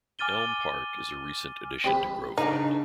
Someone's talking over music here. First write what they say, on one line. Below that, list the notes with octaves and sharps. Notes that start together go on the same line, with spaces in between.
Elm Park is a recent addition to Groveland.
G#5 D6 F6 A6 D#7 G7
C4 G4 B4
C#3 D4 D#4